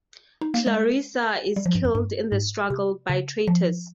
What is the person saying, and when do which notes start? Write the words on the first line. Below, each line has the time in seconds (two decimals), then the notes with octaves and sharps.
Clarissa is killed in the struggle by traitors.
0.41 D#4
0.54 A#3
0.67 G#3
1.56 G3
1.66 F3
1.75 G2
1.85 F2
1.95 G2
2.32 G#2
2.70 C3
3.09 C#3
3.47 F3